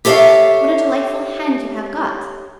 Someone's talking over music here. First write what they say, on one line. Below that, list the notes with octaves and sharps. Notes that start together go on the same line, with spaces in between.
What a delightful hand you have got!
G4 A4 C#5 D5 E5 F5